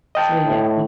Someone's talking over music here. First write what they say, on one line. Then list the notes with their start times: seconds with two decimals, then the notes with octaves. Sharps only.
So, yeah, we
0.15 D#5 G5 A5
0.45 A2